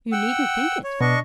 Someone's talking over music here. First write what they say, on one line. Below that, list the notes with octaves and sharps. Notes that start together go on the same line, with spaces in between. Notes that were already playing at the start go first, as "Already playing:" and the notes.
You needn't think it.
F#5 G5 E6
C#5
B2 D4 D#5 C#6